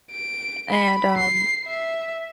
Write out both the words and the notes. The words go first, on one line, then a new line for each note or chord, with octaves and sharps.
and, um,
D7
B5
C7
E5